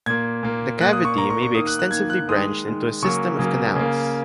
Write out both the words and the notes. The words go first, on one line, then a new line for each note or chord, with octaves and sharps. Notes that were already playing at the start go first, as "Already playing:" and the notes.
The cavity may be extensively branched into a system of canals.
A#2 A#3 G#6
A#2 A#3
A#2 A#3 F#6
D#6
C#6
A#2 A#5
A#3
C#6
C#6
D#3 A#3 D#6
F#6
F#6
D#3 A#3 G#6
F#6
D#3 G#3 D#6
D#3 G#3
C#3 F#3 A#3 C#6
C#3 F#3 A#3
C#3 A#3